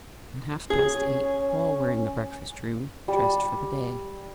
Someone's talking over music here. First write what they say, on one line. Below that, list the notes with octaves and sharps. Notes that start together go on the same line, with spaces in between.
At half-past eight all were in the breakfast-room, dressed for the day.
C#4 G#4
G3